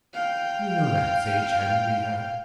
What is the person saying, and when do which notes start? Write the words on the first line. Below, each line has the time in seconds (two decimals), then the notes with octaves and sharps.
"You know that sage hen we had?"
0.14 F5 G5